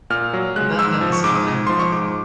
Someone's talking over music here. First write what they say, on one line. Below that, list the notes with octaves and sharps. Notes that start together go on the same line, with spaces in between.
Abandon is for everybody.
A#2 F6
F#3
G#3 F#6
G#2 E6
F3
C#6
G#2 D6
D#6
G#2
F3 C6
C#6
G#2 D6